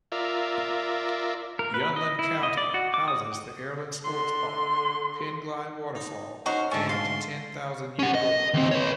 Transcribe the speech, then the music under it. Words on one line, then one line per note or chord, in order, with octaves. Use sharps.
Yunlin County houses the Erlun Sports Park, Penglai Waterfall and Ten Thousand Year Gorge.
F4 A#4 D5 E5
A#4
B4
D#5
E4
D#5
D5
F#4
D6
D#6
D3 C6
D#4
C#4 D#4 F#4 A#4 C5
D2 G#2 C#4 A4 G#5 A5
F5 C6
C#4 F#5
D#5
D#2 C4
B4 C#5